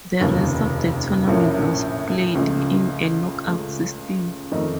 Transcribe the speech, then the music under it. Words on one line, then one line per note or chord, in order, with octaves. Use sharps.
The rest of the tournament was played in a knockout-system.
F1 D#2 C#3 F3
A#1 A2 F3 A#3 C#4
C#2 C#3 F3 A3
C#2 C#3 A3
F2 D#3 A3 D#4